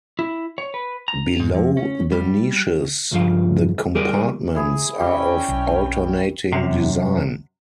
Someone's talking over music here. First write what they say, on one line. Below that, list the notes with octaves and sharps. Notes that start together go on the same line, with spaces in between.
Below the niches, the compartments are of alternating design.
E4
C#5
B4
A#5
G#2
F2
C#4
G3
C#2 G2 F3 F5
G3 G4 G#4 A#4 D5
E4 G#4
G3 C4 C#4 G4 G5
B1
F#2 C3